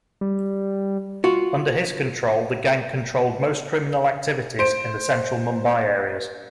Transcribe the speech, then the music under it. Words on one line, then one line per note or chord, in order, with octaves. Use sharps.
Under his control the gang controlled most criminal activities in the central Mumbai areas.
G3
F4 F#4
C5 D7